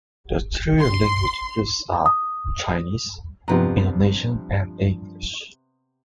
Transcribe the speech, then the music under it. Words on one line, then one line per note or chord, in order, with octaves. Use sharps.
The three languages used are Chinese, Indonesian and English.
C6
D#6
G2 C3 F3 B3 A#5